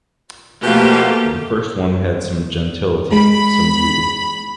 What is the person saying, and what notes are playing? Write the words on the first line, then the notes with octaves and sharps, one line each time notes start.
The first one had some gentility, some beauty.
B2 F3 A3 A#3 G4
G#3 B5